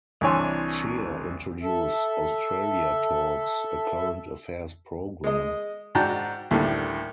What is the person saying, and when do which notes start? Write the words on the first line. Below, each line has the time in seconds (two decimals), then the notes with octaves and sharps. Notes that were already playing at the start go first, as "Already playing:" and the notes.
Shier introduced "Australia Talks", a current affairs program.
0.21 C2 E3 D4 C#5 G#5 C6
1.62 A4 E5
5.24 G#3 D#5
5.95 G#2 D4 F#4 G5 A5 A#5
6.51 D2 A2 D3 D#3 G3 A#3